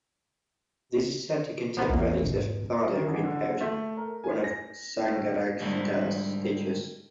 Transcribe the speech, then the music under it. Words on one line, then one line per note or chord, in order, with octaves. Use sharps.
This is said to contain relics of Dhardo Rimpoche, one of Sangharakshita's teachers.
F3 A#3 B3
A1 E2 A#3
G#2
D#3
A1
D3
A3
A#4
G#5
A#6
A2
G#2 D3 G3 G#3 A#3